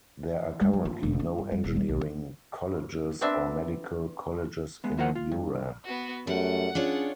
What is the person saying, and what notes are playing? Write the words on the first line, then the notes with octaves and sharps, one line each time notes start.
There are currently no engineering colleges or medical colleges in Uran.
G3
F#3
F4
E1
C#4
G2
G3
E1
G3
B1
B3 C4 D4 E5
G#3 B3
D2 A2 F3 A#4 C5 F#5
F4
G2
B3 F#4
F#2 G3 A3 F#5
C#4 D4 F4 G#4 C#5